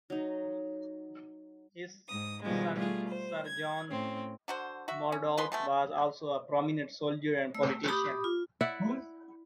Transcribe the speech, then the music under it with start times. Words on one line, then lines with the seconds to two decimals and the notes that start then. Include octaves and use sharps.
His son Sir John Mordaunt was also a prominent soldier and politician.
0.10 F#3 D#4
2.08 G#2 D#6
2.42 B2 D#3 F3 G3 G#3
2.75 G3 A3 F4 G#4
3.08 C5
3.47 G#6
3.88 A2 C4 C#4
4.48 D3 F#4 C5
4.88 F#4 E5
5.12 C#4
5.37 F3 G#3 B4 C6
5.52 B2 G#3 A3
7.54 A3 E6
7.88 G4 B5 D6 D#6
8.24 F4
8.61 E4 D5 E5 F#5